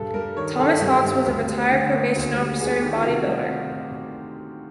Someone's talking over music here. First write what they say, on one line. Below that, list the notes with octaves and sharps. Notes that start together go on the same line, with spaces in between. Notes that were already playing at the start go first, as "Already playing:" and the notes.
Thomas Hawks was a retired probation officer and bodybuilder.
Already playing: G2 A4
G3 A#4
D#3 C#5
G2 A4
G2
G3
D2
G3
D3
A#3
D2
G3
D2 G#4
D#3 G4
F4
C3 F#4
G3 F#4